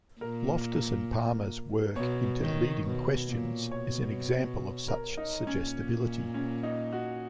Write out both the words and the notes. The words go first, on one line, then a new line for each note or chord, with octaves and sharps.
Loftus and Palmer's work into leading questions is an example of such suggestibility.
A#2 A#4
B2 C#5
D#3
B2
A#2
B2 C#5
A#4
D#4
A#2 C#4
C#4
D#4
F#4